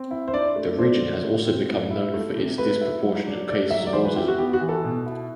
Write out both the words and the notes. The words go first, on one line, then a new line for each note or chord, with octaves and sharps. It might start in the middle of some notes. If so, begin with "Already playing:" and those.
The region has also become known for disproportionate cases of autism.
Already playing: C4
E4
C5
D4 D5
A3
D4 C5
D3
A2
C4
A2
E4
A3
C3
A3 B4
E4
F#3
D4
A3 D5
F#3 E5
D5
E3 C5
B4
E4 G4
F#4
B3 G4
F#4
E3
A4
B2
E4